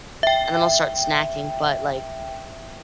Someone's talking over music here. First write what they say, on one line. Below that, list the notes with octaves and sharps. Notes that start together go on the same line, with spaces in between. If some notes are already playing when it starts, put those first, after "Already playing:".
and then I'll start snacking, but, like,
E5 G5